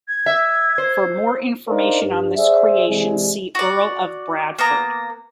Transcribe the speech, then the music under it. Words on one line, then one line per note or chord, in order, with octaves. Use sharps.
For more information on this creation, see Earl of Bradford.
G#6
E5
C5
D4 D#4 A#4 C5 D5 F5
G2
G#4 C5 D5 E5
C3 E3 G3 G#3 E4 G#4
F#4 D5
A#3 B3 A#5